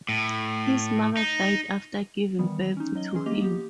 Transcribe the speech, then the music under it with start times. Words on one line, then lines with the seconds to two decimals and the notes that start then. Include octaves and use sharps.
His mother died after giving birth to him.
0.09 A2
1.17 D#4
2.39 D#3 E3 G3 B3
2.77 C#4 D#4
2.95 F#3 D#5 G7
3.14 E3 C#4 G#4 C6
3.26 A#3 G4 D#5 D6 F7
3.41 B3 G4